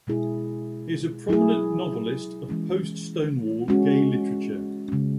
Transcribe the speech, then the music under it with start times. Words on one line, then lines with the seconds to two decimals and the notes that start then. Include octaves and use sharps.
He is a prominent novelist of post-Stonewall gay literature.
0.07 B2 G#3 E4 G#4
1.29 F#3 E4 G#4
2.49 E3 G#3 C#4
3.68 G#3 C#4 F#4
4.88 C#3 G#3 C#4